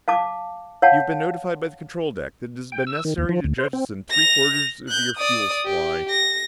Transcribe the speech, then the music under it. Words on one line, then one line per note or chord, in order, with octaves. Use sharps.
You have been notified by the control deck that it has been necessary to jettison three quarters of your fuel supply.
F5 A5 D6
C#5 F5 F#5 A5
G5
E6
D#3
D#2
F3
D2
C5
C4
A#6 F7
F#6 G6
D5 D#6
G4
A#6